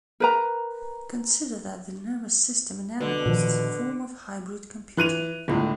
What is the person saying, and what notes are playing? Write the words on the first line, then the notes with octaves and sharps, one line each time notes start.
Consider that the nervous system in animals is a form of hybrid computer.
A#4 B4 A#5
B2 D3
A#2 D#3 F3
E3 F#6 D#7 F7
G1 C#2 A2